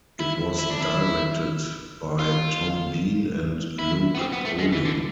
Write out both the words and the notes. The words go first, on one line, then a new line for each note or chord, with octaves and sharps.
It was directed by Tom Bean and Luke Poling.
E4
E4
D4
E4
F4
E4
B3
C4
B3
A3
G#3
E3
D3